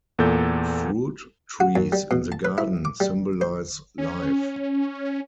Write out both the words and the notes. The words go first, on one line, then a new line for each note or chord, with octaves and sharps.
Fruit trees in the garden symbolize life.
E2 A#2 A4 G6
F#4
F#2
G3
B2
A5
B4
E4
D6
G3
C5
C#4